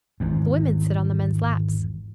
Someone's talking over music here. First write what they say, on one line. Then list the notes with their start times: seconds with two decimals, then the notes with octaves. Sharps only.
The women sit on the men's laps.
0.20 G#1 E2